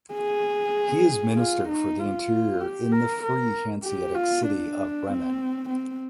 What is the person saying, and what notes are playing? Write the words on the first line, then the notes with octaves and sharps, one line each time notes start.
He is Minister for the interior in the Free Hanseatic City of Bremen.
G#4
F4
D#4
F4
G4
A#4
A#4
G4
F4
D4
C4
C4